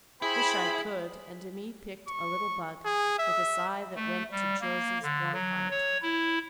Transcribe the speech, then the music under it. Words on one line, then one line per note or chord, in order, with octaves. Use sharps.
'Wish I could!' and Demi picked a little bud, with a sigh that went to Josie's warm heart.
E4 G#4 C5 G5 B5
C#6
G#4
E5
A3
G3
A#3
D3
F#3
C#5
E4